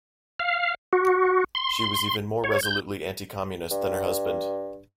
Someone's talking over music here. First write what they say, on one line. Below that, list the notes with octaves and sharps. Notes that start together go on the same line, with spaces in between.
She was even more resolutely anti-Communist than her husband.
F5
F#4
C6
C#5
G6
G2